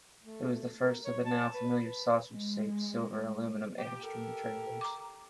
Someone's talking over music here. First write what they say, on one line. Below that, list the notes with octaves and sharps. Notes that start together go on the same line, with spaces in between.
It was the first of the now familiar sausage-shaped, silver aluminum Airstream trailers.
A3
A#4
C#5
A5
B4
B4
G#3
A#2 G4
G4 A4 A#4
A#5 D6